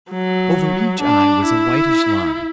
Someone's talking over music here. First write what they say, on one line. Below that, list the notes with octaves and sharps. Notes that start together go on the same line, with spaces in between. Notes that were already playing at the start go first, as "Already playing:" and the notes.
Over each eye was a whitish line.
F#3
D4
E4